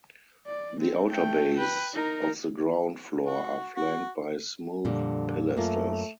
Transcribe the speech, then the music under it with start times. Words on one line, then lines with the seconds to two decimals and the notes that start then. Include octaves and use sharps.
The outer bays of the ground floor are flanked by smooth pilasters.
0.46 D5
0.80 C4
1.09 A3 G5
1.56 B4 G5
1.93 D#4 A#4
3.26 F#4
3.76 F#4
4.85 F2 A#2 D3 G3
5.57 F#2 A3 A#3 F4